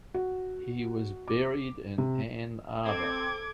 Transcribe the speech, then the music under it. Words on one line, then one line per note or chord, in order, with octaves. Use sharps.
He was buried in Ann Arbor.
F#4
D6
C3
C4 A4 D6 G#6